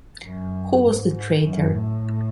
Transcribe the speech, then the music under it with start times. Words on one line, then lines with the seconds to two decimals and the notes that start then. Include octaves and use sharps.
Who was the traitor?
0.25 F#2
0.84 G#2
1.42 F#2
1.72 A2